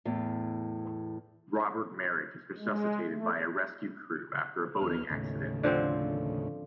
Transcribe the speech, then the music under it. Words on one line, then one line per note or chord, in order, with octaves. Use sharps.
Robert Merrick is resuscitated by a rescue crew after a boating accident.
E2 A2
G#3
A3
D#2 B3 F6
D#2 A2 C#3
D3 F3 C4